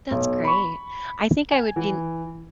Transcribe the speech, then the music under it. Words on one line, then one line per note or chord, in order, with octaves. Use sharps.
That's great, I think I would be
B1
B5 C#6
G#5
E3